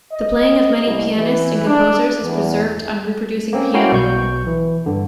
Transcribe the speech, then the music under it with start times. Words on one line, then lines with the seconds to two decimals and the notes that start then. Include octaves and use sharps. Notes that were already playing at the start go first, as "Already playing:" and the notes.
The playing of many pianists and composers is preserved on reproducing piano roll.
0.12 D#5
0.84 C2
1.16 E3
1.67 D4
2.22 E2
3.53 A#3 C4 C#4
3.74 A#3 C#4 E4 F#4 F5 G5
3.92 B1 B2 C#6 G6
4.47 E3
4.86 G2 D3